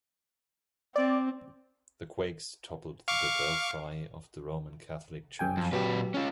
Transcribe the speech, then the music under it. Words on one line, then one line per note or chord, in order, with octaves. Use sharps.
The quakes toppled the belfry of the Roman Catholic Church.
C4 D5
F5 C#6 D6
F#2 G5 G#5
F2
A#2 F#3 G4 B4
C#4 F4